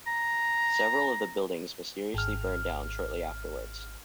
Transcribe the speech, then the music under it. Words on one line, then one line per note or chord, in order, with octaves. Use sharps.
Several of the buildings mysteriously burned down shortly afterwards.
A#5
G#1 F6